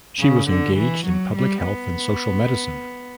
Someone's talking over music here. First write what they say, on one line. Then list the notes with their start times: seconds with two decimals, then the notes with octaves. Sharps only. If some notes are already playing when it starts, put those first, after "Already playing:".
She was engaged in public health and social medicine.
0.19 C#3
0.49 D3
0.77 E3
1.05 F#3
1.35 G3
1.64 B3